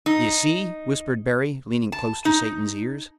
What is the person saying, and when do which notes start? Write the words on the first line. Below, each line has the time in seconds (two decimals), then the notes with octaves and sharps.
"D'ye see?" whispered Barry, leaning close to Satan's ears.
0.06 D#4
1.92 A5
2.25 D#4